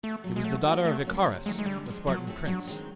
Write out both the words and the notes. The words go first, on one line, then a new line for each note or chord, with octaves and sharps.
She was the daughter of Icarius, a Spartan prince.
B2 A3
F#3 A3
G#3
F#3 A3
A#3 C#4 F#4 A4
B2 A3
F#3 A#3 C#4 E4
C3
D#3 F#3 G#3 A3
G#3
D3 G3
F3 G#3
F3 F#3
A3 C4 E4 A4
G2 F#3
D#3 G#3 C4